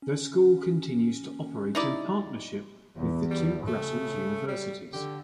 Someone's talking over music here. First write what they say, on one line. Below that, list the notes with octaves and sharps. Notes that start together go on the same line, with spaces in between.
The school continues to operate in partnership with the two Brussels universities.
C#4
D#4 E4 D5
E2
G3
C#3 A3
G3
D3 G4